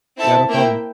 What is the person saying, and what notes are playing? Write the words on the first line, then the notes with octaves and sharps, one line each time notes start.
Yeah, no problem.
C4 E4 A4 E5 A5
A#3 E4 A#4 E5 G5